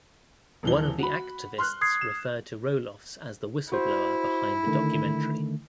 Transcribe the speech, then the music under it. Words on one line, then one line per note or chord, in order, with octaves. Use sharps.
One of the activists referred to Roelofs as the "whistleblower" behind the documentary.
D#1 E3 G7
F#4 B5
C6 F6 F#6
D#6 G#6 C7
E7
E4 F#4 C5
D3 D#3 A3